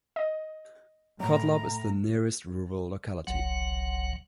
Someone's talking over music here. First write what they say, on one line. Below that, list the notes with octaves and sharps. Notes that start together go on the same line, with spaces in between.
Khotlob is the nearest rural locality.
D#5
A2 F#3 A#5
F#1 C2 F#3 F#5